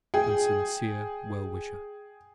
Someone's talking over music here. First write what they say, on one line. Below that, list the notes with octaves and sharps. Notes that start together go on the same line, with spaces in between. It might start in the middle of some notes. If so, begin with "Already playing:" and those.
And sincere well-wisher.
G#4 G5